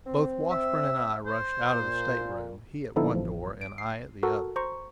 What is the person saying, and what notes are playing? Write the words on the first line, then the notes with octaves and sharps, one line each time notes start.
Both Washburn and I rushed out of the state-room, he at one door, and I at the other.
C4
E5
C5
A#2
D3 F3 B3 D#4 E4 A4
A1 F3
D7
C7
F#4 A4 A#4
C5 A#5 C#6